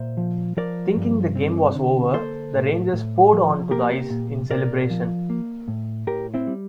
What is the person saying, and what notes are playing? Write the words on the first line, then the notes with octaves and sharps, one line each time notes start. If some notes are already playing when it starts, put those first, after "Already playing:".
Thinking the game was over, the Rangers poured onto the ice in celebration.
Already playing: A#2 C5 E5
F3
F3 A#4 D5
G2
C4
D3
A#3 A4 C5
A2
A2
F3
A#3 G4 A#4
A#2
A#2 A#4 D5
F3
A#3
A2
A2 G4 A#4
C4 E4
G3